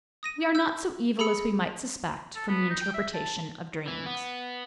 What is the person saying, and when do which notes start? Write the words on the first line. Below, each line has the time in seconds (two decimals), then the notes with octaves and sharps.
We are not so evil as we might suspect from the interpretation of dreams.
0.23 D#6 A#6 D#7
0.55 E6 G6
1.19 G#4 B5 E6 C#7
2.36 A4
2.48 B3
2.70 D#4
2.81 G5
2.94 E5
3.13 A5
3.88 E3
4.06 B3